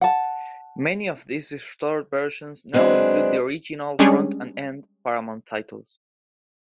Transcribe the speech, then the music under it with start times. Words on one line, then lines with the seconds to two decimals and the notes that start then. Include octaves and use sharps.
Many of these restored versions now include the original front-and-end Paramount titles.
0.01 F#5 A5
2.74 F#2 G#3 C4 D4 B4
3.99 G3 G#3 C#4 D4 G#4